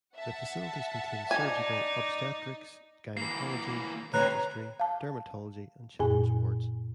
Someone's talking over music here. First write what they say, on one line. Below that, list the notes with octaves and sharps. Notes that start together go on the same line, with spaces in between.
The facilities contain surgical, obstetrics, gynecology, dentistry, dermatology and children's wards.
E5 F#5 A5
D#4 D5 G#5
E3 A#3 C7
D2 C3 B4 C#5 A#5 F#6
F5 A5
F#2 A#2 G#4 G#5